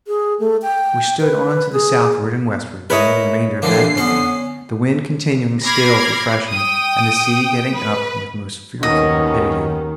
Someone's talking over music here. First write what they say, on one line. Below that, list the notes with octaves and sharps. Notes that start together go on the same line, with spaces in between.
We stood on to the southward and westward during the remainder of that day, the wind continuing still to freshen, and the sea getting up with most fearful rapidity.
G#4
A3
G5
B4
G#4
E4 A#4 B4 C#5 D#5
A1 F2 D3 A#3 C7
B3 C#4
B5 D6 F6 G#6 A#6 C7
G5 D#6
B4
D#2 D#3 B3 C#4 D#5